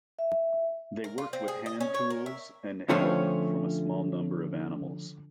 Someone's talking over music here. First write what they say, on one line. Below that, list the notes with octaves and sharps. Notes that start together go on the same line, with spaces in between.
They worked with hand tools and help from a small number of animals.
E5
A#4
F4
C4
G#4
D#5
C#4
C#5
A#4
E5
D3 F3 A3 C4 C#4